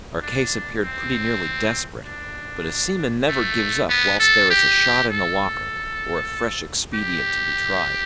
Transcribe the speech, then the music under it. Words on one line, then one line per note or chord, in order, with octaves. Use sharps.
Our case appeared pretty nearly desperate; but a seaman never gives up "whilst there is a shot in the locker," or a fresh expedient to be tried.
D4
C4
D4
A3
B3
A4
G4
A4
G4